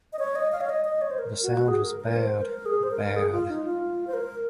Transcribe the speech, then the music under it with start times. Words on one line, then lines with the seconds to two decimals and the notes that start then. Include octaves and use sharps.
The sound was bad, bad.
0.13 D#5
0.19 C#5
0.35 D#5
0.52 F5
0.61 C#5
0.69 D#5
0.85 D#5
1.02 C#5
1.11 C5
1.19 A#4
1.43 F#4
1.68 G#4
1.83 A#4
2.00 A#4
2.16 C5
2.42 A#4
2.66 G#4
2.83 C5
2.91 A#4
3.16 G#4
3.32 F4
3.49 D#4
3.65 F4
4.07 C5
4.14 A#4